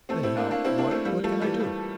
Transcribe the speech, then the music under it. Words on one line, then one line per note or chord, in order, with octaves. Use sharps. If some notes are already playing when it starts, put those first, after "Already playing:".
"Then how--what--what can I do!"
A3 C4
C4 E4
A#3 D4
A#3 D4
C4 E4
A#3 D4
A3 C4
G3 A#3
F3 A3
E3 G3
E3 G3